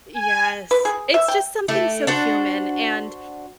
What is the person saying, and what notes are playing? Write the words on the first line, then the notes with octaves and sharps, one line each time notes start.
Yes, it's just something so human, and,
G#5
B4
G#4
E5
G5
A3 E4 G4
D4 F#4 C5